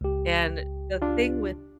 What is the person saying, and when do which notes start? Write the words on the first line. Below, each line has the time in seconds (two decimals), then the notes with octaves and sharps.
and the thing with
0.01 C#2 G4
1.02 D4 F4